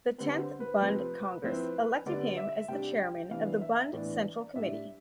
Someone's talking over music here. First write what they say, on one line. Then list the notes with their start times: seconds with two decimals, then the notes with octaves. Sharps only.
The tenth Bund congress elected him as the Chairman of the Bund Central Committee.
0.18 D3 G3 C4 B4
0.39 C5
0.60 B4
0.81 C3 F3 C4 B4
1.44 F3 C4 E4 B4
2.06 D3 G3 B3 D4 D5
2.37 E5
2.68 C3 G3 D4 G5
3.00 G5
3.31 C3 E3 B3 D4 F5
3.61 E5
3.93 A2 E3 B3 D4 D5
4.55 A2 G3 D4 E5